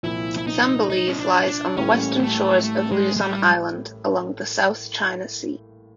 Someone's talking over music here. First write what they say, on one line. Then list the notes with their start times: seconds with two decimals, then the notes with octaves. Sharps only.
Zambales lies on the western shores of Luzon island along the South China Sea.
0.03 C2 A#2 F3 E4
0.38 E4
0.47 D#4
0.90 D#4
1.08 C#4
1.19 D4
1.48 D4
1.76 A1 A2 E3 G3 A#3 C#4
2.20 A3
2.63 A3
2.92 G#3
3.16 G#3
3.21 G3